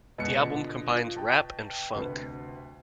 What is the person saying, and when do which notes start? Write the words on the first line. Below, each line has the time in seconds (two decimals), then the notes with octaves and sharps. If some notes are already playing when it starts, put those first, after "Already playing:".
The album combines rap and funk.
0.18 B2 G#3 C#7
0.40 A#2 D3 D4
0.90 F4
1.16 G5 A5
1.95 D2 C3 B4